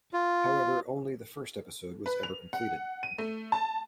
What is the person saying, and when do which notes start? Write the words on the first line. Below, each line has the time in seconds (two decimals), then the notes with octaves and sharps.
However, only the first episode was ever completed.
0.13 F4
2.06 B4
2.23 F7
2.53 F#5
3.03 D#7
3.18 A3
3.52 A5